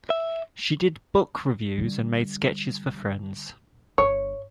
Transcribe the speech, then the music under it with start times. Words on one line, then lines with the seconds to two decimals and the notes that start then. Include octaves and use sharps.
She did book reviews and made sketches for friends.
0.10 E5
1.78 D3 G3
3.98 G1 C#5